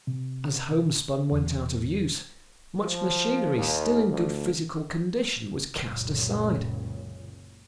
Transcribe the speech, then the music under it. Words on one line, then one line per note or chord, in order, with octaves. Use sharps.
As homespun went out of use, much machinery still in good physical condition was cast aside.
C3
E2
F3
D#2
D2
F#1 C#2 F#2 A#2 C#3